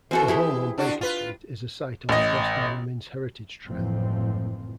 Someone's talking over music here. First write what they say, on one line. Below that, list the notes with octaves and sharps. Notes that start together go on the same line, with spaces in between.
Her home on Baker Street is a site on the Boston Women's Heritage Trail.
E3 C4 F#4 A4
E4 G4 G#4
D3 D4 F#4
F4 B4
A1 D#5
F#1 F2 A2 E3 F3 C4